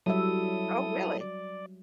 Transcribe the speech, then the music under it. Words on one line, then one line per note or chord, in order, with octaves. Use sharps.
Oh, really?
F#3 G3 E4 A4 E5 D#6
D5